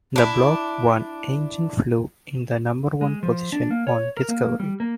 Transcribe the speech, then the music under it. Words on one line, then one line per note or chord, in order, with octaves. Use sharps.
The Block I engine flew in the number one position on Discovery.
D4 E4
G#3
F3
D4
A#3
C#5
A#4
A#3
G3
A#3